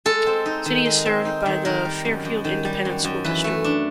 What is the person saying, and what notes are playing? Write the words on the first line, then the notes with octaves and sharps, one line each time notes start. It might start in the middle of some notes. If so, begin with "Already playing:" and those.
The city is served by the Fairfield Independent School District.
G#3 A4
C4
D#4
D#3
G#3
C4
D#4
D#3
D#3 A#4
G3
F#2
F#2
D#3
G3
F#2
F#2
E3 B4
A3
D4